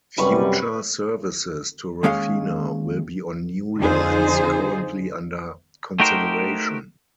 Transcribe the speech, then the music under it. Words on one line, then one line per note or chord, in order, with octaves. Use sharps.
Future services to Rafina will be on new lines, currently under consideration.
F#2 C3 G3 B4 C#6
D#2 G#3 C#4 G#4 F5
F2 D3 D#4 F4 G#4 C5
A3 D#4 F#4 G4 A#4 C5